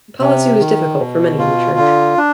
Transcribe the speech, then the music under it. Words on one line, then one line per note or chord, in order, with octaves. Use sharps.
The policy was difficult for many in the church.
C3
D#3
B2
F4
D3
D4